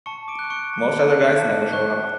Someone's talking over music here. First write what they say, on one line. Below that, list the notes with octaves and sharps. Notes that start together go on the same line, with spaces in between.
Most other guys never show up.
A5 C#6 C#7
D6 D7
C#6 F#6
C#6 C#7
A5
C#6 F#6
A5
C#6 F#6